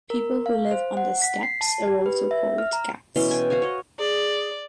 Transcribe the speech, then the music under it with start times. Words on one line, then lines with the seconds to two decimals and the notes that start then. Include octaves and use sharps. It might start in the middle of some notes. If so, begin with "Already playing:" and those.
People who live on the steps are also called ghats.
0.10 A#4
0.46 F5
0.71 C5
0.97 F#5
1.22 B6
1.43 C7
1.61 A5
1.87 G4
2.06 B4
2.31 E5
2.58 F6
2.73 A#5
3.16 B2 E3 C#4 C6
3.31 G5 G#5
3.50 F#4 C5 F5 G#5
3.62 C#5 D#5
3.99 G#4 D5